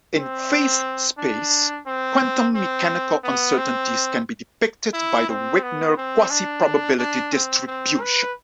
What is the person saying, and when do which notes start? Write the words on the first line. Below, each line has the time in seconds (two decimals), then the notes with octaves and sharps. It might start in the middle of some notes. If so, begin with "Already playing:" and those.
In phase space, quantum mechanical uncertainties can be depicted by the Wigner quasi-probability distribution.
0.16 C4
1.18 D4
1.87 C4
2.55 C4
3.24 B3
3.58 C4
4.94 E4
5.29 C4
5.63 B3
5.97 C4
6.30 D4
6.99 D4
7.33 C4
7.67 C4
8.01 B4